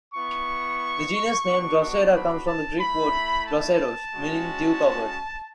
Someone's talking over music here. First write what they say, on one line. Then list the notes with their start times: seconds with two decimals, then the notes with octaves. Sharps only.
The genus name "Drosera" comes from the Greek word "droseros", meaning "dew-covered".
0.14 B3 E4 C#6
1.47 B3 D4 F#4
2.14 B5
2.47 A5
2.80 A3 E4 B5
3.47 A5
4.13 G#3 C#4 F#4